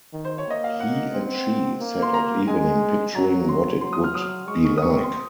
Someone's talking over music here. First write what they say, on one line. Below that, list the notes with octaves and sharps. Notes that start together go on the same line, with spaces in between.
He and she sat at evening picturing what it would be like.
D#3
C5
C#5
A#3 D#5
F5
F#5
C4
A#3
C6
A#5
G#3 G#5
F#3 A#5
C6
F#3 C6
D#6
F6
F#3 D#6
G#3 C#6
C#6
D#6
C4 C#6
C#6
C6